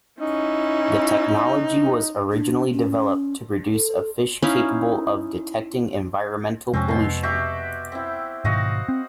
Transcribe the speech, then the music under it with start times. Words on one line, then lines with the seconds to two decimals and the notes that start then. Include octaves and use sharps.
The technology was originally developed to produce a fish capable of detecting environmental pollution.
0.21 C#4 D#4 E4
2.32 D4
2.73 C#4
3.73 A4
4.42 C#4 D#4 E4 F5
6.73 F2 C3 G#3 C4 C#4 F#4
6.88 B2 C6
7.23 F#4 G4 E5
7.92 C4 E4
8.45 G#2 B2 D#3 F#4 D#5 F5
8.89 C4